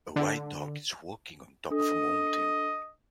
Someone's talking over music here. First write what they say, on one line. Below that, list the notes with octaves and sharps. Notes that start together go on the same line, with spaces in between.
A white dog is walking on top of a mountain.
D3
D4 A4 D#5 D#6